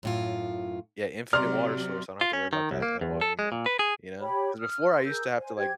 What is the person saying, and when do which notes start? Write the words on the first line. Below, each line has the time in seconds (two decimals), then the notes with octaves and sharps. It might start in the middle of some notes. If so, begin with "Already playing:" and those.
yeah, infinite water source. I don't have to worry about that at all anymore, you know? 'Cause before I used to have to, like
0.03 F#2 A2 F4
1.33 C3 F#3 D5 A#5 C6 F6
2.21 F4
2.33 C#4
2.53 D#3
2.71 C2
2.82 A#3
3.01 E2
3.21 A4
3.39 G#3
3.52 A#2
3.66 B4
3.79 G#4
4.21 G4 C#5 G5 B5
4.61 D#6 F6
4.92 C6
5.05 G#4 A#4 E6 G6
5.36 C5 G#5
5.57 G4 C5 G5 G#6